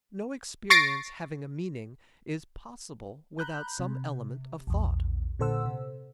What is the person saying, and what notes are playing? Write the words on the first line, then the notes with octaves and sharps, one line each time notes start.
No experience having a meaning is possible without some element of thought.
C#6 A6 A#6 C7 D7
A#5 B5 F#6 G6
C3
A#1 E2
A#2 D3 A4 C5 F#5 E6
C3